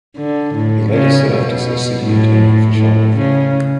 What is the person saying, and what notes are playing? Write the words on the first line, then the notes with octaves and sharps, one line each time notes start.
He later served as a city attorney for Shelbyville.
D3
A2
C#3
B2
A2
A2
C#3